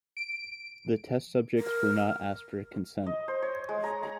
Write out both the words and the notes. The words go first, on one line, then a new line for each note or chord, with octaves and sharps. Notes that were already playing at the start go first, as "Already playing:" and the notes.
The test subjects were not asked for consent.
D7
A#4
D#5
C5
C#5
G#3
A#5
A#5